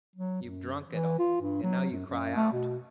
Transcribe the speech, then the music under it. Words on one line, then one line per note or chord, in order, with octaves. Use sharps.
You've drunk it all and now you cry out.
F#3
F#2
E3
F4
G2
F#3
F#2
F#2
A3
B2